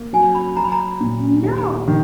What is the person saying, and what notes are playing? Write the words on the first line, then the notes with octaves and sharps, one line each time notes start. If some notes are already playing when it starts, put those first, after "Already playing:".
Uh, no.
Already playing: A#3
F#3 G#5
B5
F#3 A#5
B5
A#5
A#2
D#2
D#3